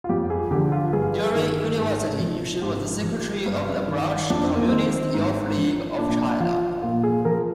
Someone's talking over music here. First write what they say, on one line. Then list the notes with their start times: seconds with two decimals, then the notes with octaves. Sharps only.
During university, she was secretary of the branch Communist Youth League of China.
0.04 F4
0.09 F2 G4
0.30 G#4
0.51 D3 F3 G4
0.72 F4
0.93 G2 G#4
1.35 D#3
1.77 G#2
2.20 F3
2.62 G#2 G4
3.04 F3
3.46 G2
3.88 D#3
4.30 F2 D4
4.43 C4
4.56 A#3
4.68 D#3 C4
5.14 G#2
5.57 F3
5.98 A#2 D4
6.40 F3 F4
6.82 A#2 F4
7.04 G#4
7.25 F3 A#4